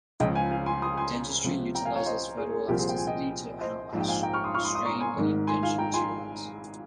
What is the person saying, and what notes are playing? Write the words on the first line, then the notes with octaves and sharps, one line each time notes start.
Dentistry utilizes photoelasticity to analyze strain in denture materials.
C#2 C#3 F3 D#5 G5
F5 G#5
F5 G#5
G#5 C6
C6 D#6
G#5 C6
C#2 C3 F3
G5 A#5
F5 G#5
C#5 F5
C5 D#5
G#4
G#4
C2 A#2 F3 G4 A#4
G#4 C5
G5
G#5
D#5 G5
C5 D#5
A#1 G#2 F3
G5
F5 G#5
G5 A#5
C#6 F6
C6 D#6
C#6 F6
C6 D#6
C6 D#6
A#5 C#6
G#5 C6
G#1 G#2 D#3
G#5 C6
F5 G#5
G5 A#5
G#5 C6